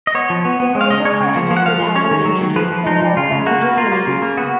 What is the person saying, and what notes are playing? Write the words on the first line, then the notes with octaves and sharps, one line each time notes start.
He is also credited with having introduced the telephone to Germany.
D#5
B3 C#5
F3
B3
B3
G#3
F5
C#3 D#5
G#3 C#5
C#3
F3
F3
F#5
F3 F5
F3
C#4 C#5
D#3
F#3
D#3
F3 B4
F3
F3 D#4
F3
C#3 F4
C#3
A#3 F#4
A#3
A#3 F4
A#3
C#3
A#3
B3 F#4